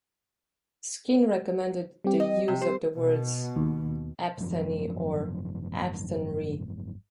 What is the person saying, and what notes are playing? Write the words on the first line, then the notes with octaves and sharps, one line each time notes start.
Skene recommended the use of the words "abthany" or "abthanry".
G3 C4 G4
D#5
C3
C5
B2
D#2
G#1 F#2 F3